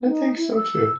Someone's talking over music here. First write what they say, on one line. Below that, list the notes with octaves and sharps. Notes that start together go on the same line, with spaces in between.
I think so too.
D#4
E4
E6